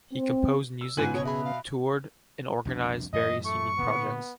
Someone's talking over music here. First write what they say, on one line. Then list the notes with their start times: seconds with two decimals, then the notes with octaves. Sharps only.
He composed music, toured and organized various unique projects.
0.12 C4
0.81 E6
0.97 G#2 C#3 B3 F4 G#5 F#6
1.14 B2 C#5
1.26 G#4 E5 B5
1.45 F5
2.65 C2 F2 D4
3.13 F#2 A2 E3 D#5
3.45 A3 C#6
3.79 A#2 D3 B3